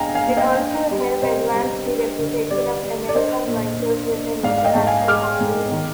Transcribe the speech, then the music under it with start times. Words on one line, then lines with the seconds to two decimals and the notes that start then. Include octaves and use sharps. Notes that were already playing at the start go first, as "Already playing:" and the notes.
It also helped advance the reputation of American writers with an international audience.
Already playing: G#2 D4 D#5 F5 G5 G#5 A#5
0.15 F5 G#5
0.27 A#3
0.37 D#5 G5
0.58 D4
0.91 G3
1.22 C3 C5 D#5
1.54 G3
1.86 D4
2.19 D3
2.51 G3 D5
2.83 G3
3.09 D5
3.15 D4 C5 D#5
3.48 A#2
3.80 D4
4.11 D4
4.43 G#2 D5 F5
4.58 F5
4.64 D#5 G5
4.75 G#2
4.87 F5 G#5
5.08 G#3 D6 F6
5.41 G#2
5.72 D#3